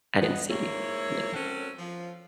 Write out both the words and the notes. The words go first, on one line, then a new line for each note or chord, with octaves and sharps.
I didn't see many.
B3 D#5 F#5
G#2 A#3 E4 C#5
C4 C#4 F#4 A4 A#4 C5
F3